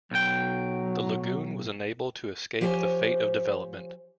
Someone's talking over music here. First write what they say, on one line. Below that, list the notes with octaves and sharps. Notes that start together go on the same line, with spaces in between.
The lagoon was unable to escape the fate of development.
B1 F#3 G5
F3 G4 C5 C#5 E5 G#5